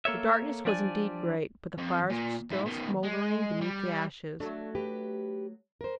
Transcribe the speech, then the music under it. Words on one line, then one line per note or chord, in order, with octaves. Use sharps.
The darkness was indeed great, but the fires were still smouldering beneath the ashes.
A#3 A4 C#5 E5
F3 G3 D4 D5 G#5
F2
A#2
G#2 E4
B2 D#3
G#3
G3
F#3 A3 D4
G4 B4
A#4 C5